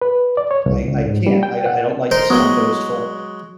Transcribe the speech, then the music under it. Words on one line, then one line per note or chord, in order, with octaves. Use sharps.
I I can't, I I don't like to sound boastful
B4
D5
C#5
C2
C#2
G#2
G3
G5
F#5
A#4 C5 D#5 C6
F#3 G#3 B3 D#5 D#6